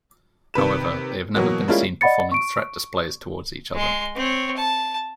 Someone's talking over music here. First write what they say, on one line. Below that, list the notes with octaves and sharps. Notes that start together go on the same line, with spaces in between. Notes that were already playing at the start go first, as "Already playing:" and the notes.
However, they have never been seen performing threat displays towards each other.
C3 D#3 B4 E7
B2 E3 F#3 A#3
G3 G#3 A#3 C#4 E4 F4
D5 D#5 F#5 B5 A6 C#7
C#6 D7
G#3 C6
C4 C#5
A5